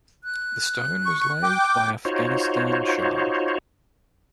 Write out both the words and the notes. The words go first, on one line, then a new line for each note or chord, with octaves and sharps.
The stone was laid by Afghanistan Shah.
F#6
C#6
G5 D6
D#4 F4 F#4 C5 C#5